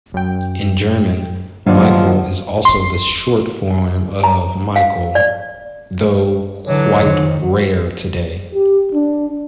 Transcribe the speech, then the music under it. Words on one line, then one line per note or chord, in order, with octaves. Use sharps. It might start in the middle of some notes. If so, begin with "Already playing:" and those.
In German, "Michel" is also the short form of Michael, though quite rare today.
F#2 G5
G2 D#3 F3 F#3 A#3 D5 F5
C6
A#5
F5
D5
D3 E3 F#3
F2 D#3
G4
D4